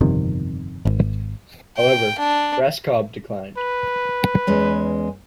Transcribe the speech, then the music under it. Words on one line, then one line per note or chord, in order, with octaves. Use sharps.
However, Raskob declined.
G1 F2 C3 D#3
G#1
G5
D4
B4
E2 G#3 C#4